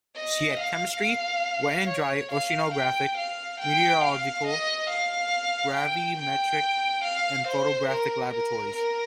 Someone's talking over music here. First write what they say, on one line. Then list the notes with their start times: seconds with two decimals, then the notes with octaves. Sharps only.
She had chemistry, wet and dry oceanographic, meteorological, gravimetric, and photographic laboratories.
0.16 D#5
0.59 F5
1.02 F5
1.88 C#5
2.31 F5
2.74 G5
3.17 F5
3.60 G5
4.04 F5
4.46 D#5
4.90 F5
5.75 G5
6.18 G5
7.04 F5
7.47 C5
7.89 A#4
8.33 A#4
8.76 A#4